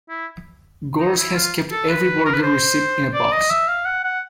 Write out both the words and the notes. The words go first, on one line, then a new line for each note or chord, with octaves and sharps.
Gorske has kept every burger receipt in a box.
E4
D#4
E4
F4
A4
B4
A#4
B4
C5
D5
D#5
E5
F5
F#5
F#5